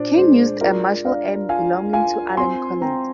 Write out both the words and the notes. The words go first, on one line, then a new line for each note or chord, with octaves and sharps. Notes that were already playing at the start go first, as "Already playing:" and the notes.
King used a Marshall amp belonging to Allen Collins.
Already playing: A#2 D4 C5 D5
G#3 C5
F4 A#4 D5
D4 D5 F5
F4 F5 G#5
F4 F5 G#5
C4 G#5 C6
C4 G5 A#5